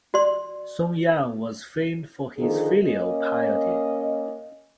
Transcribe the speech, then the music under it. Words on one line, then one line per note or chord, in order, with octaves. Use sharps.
Song Yang was famed for his filial piety.
F#4 D5 C6
D3 D#3 F3 G#4
A#3 C#4 D#5